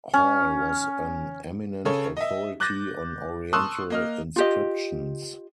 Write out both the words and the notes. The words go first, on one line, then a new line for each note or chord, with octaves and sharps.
Hall was an eminent authority on Oriental inscriptions.
C#4
C#3 A4 C#5 C#6
D#5 E5
D6 F#6 G6 A6 A#6
A5 C6 C#6 D#6 E6 F#6
A#3 D#5 F6
F4 G4 D#5